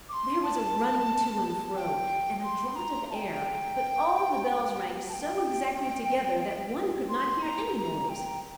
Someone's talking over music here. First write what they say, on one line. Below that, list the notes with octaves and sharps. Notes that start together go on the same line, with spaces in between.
There was a running to and fro, and a draught of air, but all the bells rang so exactly together that one could not hear any noise.
D6
C6
A5
G5
C6
A#5
A5
G5
A5
G5
C6
A#5
A#5
G5